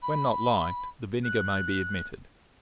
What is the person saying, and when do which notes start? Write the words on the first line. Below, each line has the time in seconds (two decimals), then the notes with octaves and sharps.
When not liked, the vinegar may be omitted.
0.02 B5
1.23 F#6